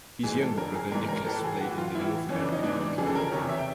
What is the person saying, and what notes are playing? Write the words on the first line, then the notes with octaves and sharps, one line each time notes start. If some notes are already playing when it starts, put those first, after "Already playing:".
His younger brother Nicholas played in the North American Hockey League.
G#2 E3 G#4
A4
F2 D3 A#4
G#4
G#2 E3 A#4
A#4
A2 E3 A4
G#4
A2 E3 F#4
F4
A2 E3 E4
F2 C#3 E3 C#4
D4
D#4
G#2 E3 D4
D4
F2 C#3 E3 G#4
A4
A#4
E2 C3 D#3 C#5
E5
G5